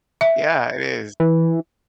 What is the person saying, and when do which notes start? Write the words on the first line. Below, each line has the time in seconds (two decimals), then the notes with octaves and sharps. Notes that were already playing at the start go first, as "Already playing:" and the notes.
Yeah, it is.
0.21 E5
1.20 E3